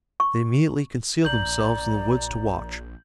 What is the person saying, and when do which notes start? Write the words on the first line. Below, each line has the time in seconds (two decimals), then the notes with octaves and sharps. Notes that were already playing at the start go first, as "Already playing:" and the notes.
They immediately concealed themselves in the woods to watch.
0.20 C#6
1.25 A#1 D5 A#5 G6 F#7